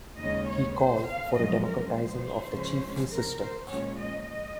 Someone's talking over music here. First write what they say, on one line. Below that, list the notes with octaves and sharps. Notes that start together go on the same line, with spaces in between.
He called for a democratizing of the chiefly system.
D#2 C#3 G#3 C#4 D#5
C#5
C5
F5
F#2 F3 G#3 C#4 D#5
A#4
C5
C#3 F3 G#3 C#4
A#4
C5
A#2 F3 G#3 C#4 C#5
D#5
D#5